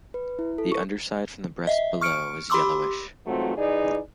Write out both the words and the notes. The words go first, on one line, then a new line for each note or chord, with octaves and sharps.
The underside from the breast below is yellowish.
B4
E4
A4
C#6
D#5 E5
C#6 F6 C#7 D7
G4 B5 C6 D6 E6
G#2 E3 F#3 A3 C4 F4
E3 D#4 G#4 D5